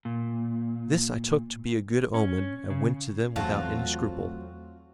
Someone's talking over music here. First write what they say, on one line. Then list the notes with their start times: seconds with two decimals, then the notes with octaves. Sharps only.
This I took to be a good omen, and went to them without any scruple.
0.05 A#2
2.14 C#4
2.70 C#3
3.36 E2 F#3 A3 C4 F4 F#4 F#5 A5